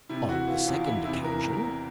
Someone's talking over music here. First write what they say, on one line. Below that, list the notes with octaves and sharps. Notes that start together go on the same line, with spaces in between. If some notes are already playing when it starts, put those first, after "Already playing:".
"On the second occasion."
C3 E4
E3 F#4
E3 F4
E2 F4
E3 E4
C3 E4
E3 A#4
E2
A#4
C3